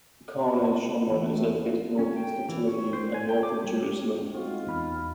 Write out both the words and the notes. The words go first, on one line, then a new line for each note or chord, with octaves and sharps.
Karnei Shomron is located northeast of Tel Aviv and north of Jerusalem.
E2 D3 E3 A3
C#4
G5
E3
C#5
C5
G#5
G5
D6
G3
G#3 C4 D#4 F4 F#4
E2 B5 F6